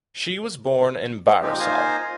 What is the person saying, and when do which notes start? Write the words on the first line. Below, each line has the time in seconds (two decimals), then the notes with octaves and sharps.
She was born in Barisal.
1.41 A#2 F3 G#3 C4 D#4 G4
1.60 A#3 D#4 F4 C5 G#5 A#5